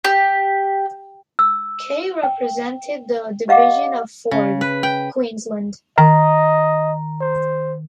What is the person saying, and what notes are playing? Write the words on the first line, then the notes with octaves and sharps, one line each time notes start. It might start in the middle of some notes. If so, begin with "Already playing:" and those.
Kay represented the Division of Forde, Queensland.
G4
E6
G5
G4 D#5 F5 F#5 D6
C#3
B4
G5
D#3 D#5 A#5
C5